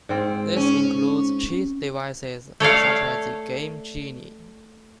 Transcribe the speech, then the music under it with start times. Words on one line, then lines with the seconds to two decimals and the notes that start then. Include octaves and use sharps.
This includes cheat devices, such as the Game Genie.
0.09 G#2 C4
0.56 C#4
2.60 A3 C#5 D5 F5